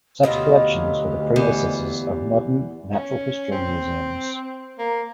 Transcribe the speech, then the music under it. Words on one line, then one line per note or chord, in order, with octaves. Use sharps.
Such collections were the predecessors of modern natural history museums.
D2 B2 F#3 F4 G4
E2 G4
C#4
C4
A#3